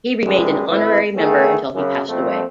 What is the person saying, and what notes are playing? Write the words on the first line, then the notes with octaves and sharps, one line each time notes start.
He remained an Honorary Member until he passed away.
B1 F#2 D#3 G3 G#3
G#1 A2 E4 B4
D#3 A3 B3 G#4
F#2 C#3
A#1 F2 F3 A3 C4